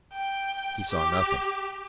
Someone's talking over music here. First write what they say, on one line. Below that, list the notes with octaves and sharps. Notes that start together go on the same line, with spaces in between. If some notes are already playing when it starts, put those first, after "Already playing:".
He saw nothing.
G5
G4